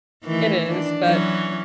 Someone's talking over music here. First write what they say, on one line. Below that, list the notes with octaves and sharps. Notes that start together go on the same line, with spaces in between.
It is. But
D#3 E3 A3
D4
E3 F#3 C#4